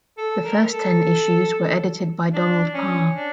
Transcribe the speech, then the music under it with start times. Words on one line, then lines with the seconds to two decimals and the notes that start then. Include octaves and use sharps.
The first ten issues were edited by Donald Parr.
0.18 A4
0.44 A#4
0.72 A4
2.34 D4
2.74 C#4
3.14 D4